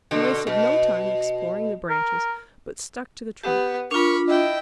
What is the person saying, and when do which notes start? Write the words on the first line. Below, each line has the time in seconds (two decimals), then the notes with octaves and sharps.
He wasted no time exploring the branches, but stuck to the trunk.
0.11 B2 D3
0.47 B2
1.90 A#4
3.44 B3 G4
3.91 D4 F4 A#4 B5 C#6
4.28 E4 D#5 G5